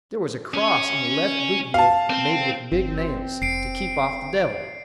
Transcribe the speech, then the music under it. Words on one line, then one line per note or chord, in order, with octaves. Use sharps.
There was a cross in the left boot-heel made with big nails, to keep off the devil.
C#4
F5 A5
C4
G1 C4
F1 C7 D7